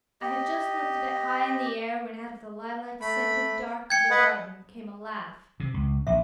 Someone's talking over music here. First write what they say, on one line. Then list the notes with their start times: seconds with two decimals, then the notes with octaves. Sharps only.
I had just lifted it high in the air when out of the lilac-scented dark of the garden came a laugh.
0.21 G4 D#5
3.01 A3 B5
3.90 G5 G#6 C#7
4.10 B4 D#5 F#5
5.60 C3
5.74 C#2
6.07 A#1 E5